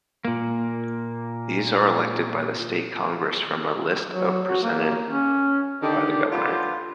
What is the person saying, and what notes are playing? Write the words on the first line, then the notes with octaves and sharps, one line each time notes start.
These are elected by the state congress from a list presented by the governor.
A#2 A#3
F#3
F#4
A#3
C#4
D3 D#3 G4
D4 F4 G4 B4 C5 F#5